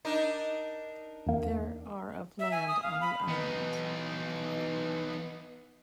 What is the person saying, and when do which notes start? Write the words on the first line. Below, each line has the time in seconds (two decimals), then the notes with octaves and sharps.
There are of land on the island.
0.05 D4 D#4 A#4
1.27 E2 A#3
2.39 E5
2.52 G#5
2.68 D#6
2.82 F5
3.01 B5
3.28 E3 B3 D#4